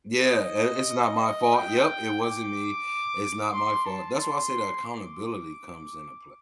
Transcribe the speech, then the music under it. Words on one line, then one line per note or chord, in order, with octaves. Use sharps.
Yeah, "I it's not my fault Yep, it wasn't me, it's not my fault." That's why I say that accountability comes into play.
D#5
G5
D6
C6
A5
C6
D6